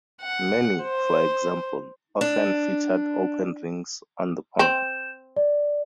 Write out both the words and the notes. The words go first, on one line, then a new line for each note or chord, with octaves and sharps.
Many, for example, often featured open rings on the pommel.
F#5
C5
D4
C4 G6 E7
D5